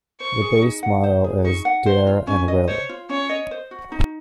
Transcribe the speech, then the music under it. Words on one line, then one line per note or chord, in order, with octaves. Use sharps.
The base motto is ""Dare and Will"".
C5 C#6
G#4
D#4
F#5
C5
G#4
D#4 C#6
F#5
C5 C6
F4
C#4 G#5
D#5
C5 C#5
F4
C#4 C#5
D#5
C5
F#4
D#4